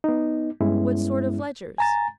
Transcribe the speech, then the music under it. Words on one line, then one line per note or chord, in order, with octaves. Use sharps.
"What sort of ledgers?"
B3 D#4
G2 G#3 B3 C#4 E4
G#5 A#5 A6